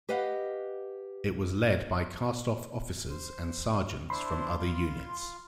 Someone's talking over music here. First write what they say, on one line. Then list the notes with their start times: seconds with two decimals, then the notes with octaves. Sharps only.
It was led by cast-off officers and sergeants from other units.
0.09 G4 B4 D#5 F5 F#5
3.10 C5
4.10 D4 E4 C5 B5 C6
4.59 F4